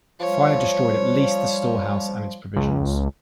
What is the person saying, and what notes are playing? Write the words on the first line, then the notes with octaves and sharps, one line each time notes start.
Fire destroyed at least the storehouse and its provisions.
F3 G3 C#5
C#2